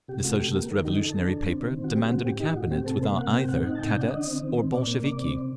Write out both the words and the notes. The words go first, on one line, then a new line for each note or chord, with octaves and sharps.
The Socialist Revolutionary paper demanded a Cabinet without either Cadets or Bolsheviki.
C3 G4
A3 F#4
C3 G4
A#3 G4
D#3 A#4
D#4 G4
D3 A4
D4
D3
C4
D#3
C4
F#4
D3 G4
C4 F#4
A2 G4
D#4 G4
A2 F#4
C4 G4
C3 A4
A#3 C5
C3 F#5
C4 G5
A2 F#5
D#4 F#5
A5
C3 G5
G5
D4
F#5
D3 D#5
C4
D#3
C4
A#2 D5
A#3
C3 D5
C4
C3